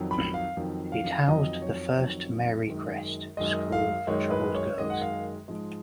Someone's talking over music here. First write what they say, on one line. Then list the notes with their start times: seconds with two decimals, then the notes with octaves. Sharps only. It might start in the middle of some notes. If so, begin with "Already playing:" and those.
It housed the first Marycrest School for troubled girls.
Already playing: F2 D#3 F#3
0.11 B5
0.34 F5
0.57 F2 D#3 F#3
0.92 F5
1.28 F2 D#3 F#3 D#5
1.62 C#5
1.97 F2 D#3 F#3
2.67 F#2 D#3 G#3
3.37 F#2 D#3 G#3 D#5
3.72 F5
4.07 F#2 D#3 G#3 C#5
4.31 B4
4.54 C#5
4.78 F#2 D#3 G#3 D#5
4.90 F#5
5.01 F5
5.48 G#2 F3 G#3